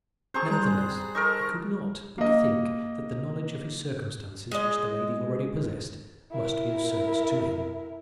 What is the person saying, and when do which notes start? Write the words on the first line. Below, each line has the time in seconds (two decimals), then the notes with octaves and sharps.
Nevertheless, he could not but think that the knowledge of his circumstances which the lady already possessed, must be of service to him.
0.34 C4 G#4 C5 A#5 C#6
0.50 G3 A#5 F#6
1.15 D#4 A4 A#4 C#6 F6
2.18 A#3 D#5
4.51 G#3 D#5
6.31 E4 A#4